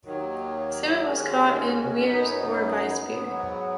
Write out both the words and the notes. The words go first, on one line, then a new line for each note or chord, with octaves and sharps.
Salmon was caught in weirs or by spear.
D#2 D#3 F#3
D#2 D#3 G#3 C#4 F#4
F#2 F#3 B3 D#4
G#2 F#3 B3